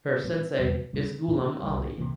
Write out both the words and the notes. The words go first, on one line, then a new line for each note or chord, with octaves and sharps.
Her sensei is Ghulam Ali.
A#2 G#3 C4
E2 C#3 G3
C3 G3 C4
A#2 F3 A#3
C2 C3 G3
C3 E3 A#3